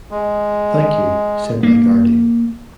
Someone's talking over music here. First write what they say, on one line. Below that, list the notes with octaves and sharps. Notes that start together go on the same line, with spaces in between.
"Thank you," said my guardian.
G#3
A#3